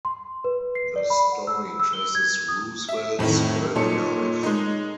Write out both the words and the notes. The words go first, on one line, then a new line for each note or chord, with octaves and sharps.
The story traces Roosevelt's early life.
C6
B4
C7
D5
B5
F#5
E6
E6
G7
G#6
D#6
E5
F2 A2 D#3 E3
A#2 D#4 A4 C#5 C#7
G#3 D#4